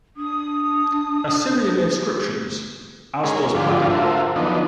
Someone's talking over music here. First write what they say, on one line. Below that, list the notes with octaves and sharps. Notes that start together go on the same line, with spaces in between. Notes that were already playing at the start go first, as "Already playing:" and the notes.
Assyrian inscriptions, as does Padi.
D4 D#6
G#3 C#4 G#4 A#4
G#2 D3 F3 D4 F4 G4
F4 F#4 A4 A#4 C5 E5
D#3 F3 F#3 B3 D4 D#5